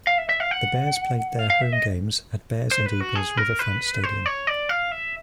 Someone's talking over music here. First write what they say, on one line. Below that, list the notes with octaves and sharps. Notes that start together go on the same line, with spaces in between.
The Bears played their home games at Bears and Eagles Riverfront Stadium.
F5
E5
E5
F5
F#5
F5
F5
E5
D#5
C5
B4
F#4
G#4
A#4
B4
C5
C#5
D5
F5
E5